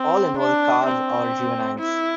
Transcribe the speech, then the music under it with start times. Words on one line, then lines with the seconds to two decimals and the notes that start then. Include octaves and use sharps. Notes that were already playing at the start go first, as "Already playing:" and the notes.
All involved calves or juveniles.
Already playing: C4
0.39 D4
0.86 C4
1.79 E4